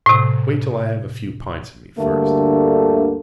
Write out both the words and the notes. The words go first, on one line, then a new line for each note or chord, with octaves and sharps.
Wait till I have a few pints in me first.
A2 C3
D2 G2 D3 A3 A#3